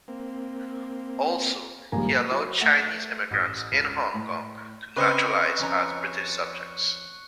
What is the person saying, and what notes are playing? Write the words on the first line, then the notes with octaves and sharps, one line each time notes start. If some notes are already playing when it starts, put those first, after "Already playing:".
Also, he allowed Chinese immigrants in Hong Kong to naturalise as British subjects.
A#3 C4
A#1 D#3 F3 G3 G#3 A#3 G#5 A#5
F#3
A3 F#5
A1 D#6 G6
C#2 F6
A2
C#3 C4 B4 C5 D#5 C#6 F#6 C#7
F2 C#4 A#5